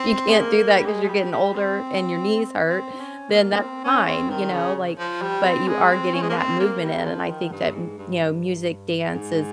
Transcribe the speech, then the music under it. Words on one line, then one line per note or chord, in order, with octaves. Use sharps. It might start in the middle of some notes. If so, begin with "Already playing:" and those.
you can't do that 'cause you're getting older and your knees hurt, then that's fine, you know? Like, but you are getting that movement in, and I think that, y you know, music, dance is,
Already playing: C4
G#3
A#3
G3
G#3
G#3
G3
G3
C4
C4
C#4
A#3
A#3
C4
C#4
C4
D#3
C#3
F3
G3
C4
G#3
C4
C#4
G#3
A#3
C4
A#3
G3
D#3
F3
D#3
G2
G#2
G2
G2
G#2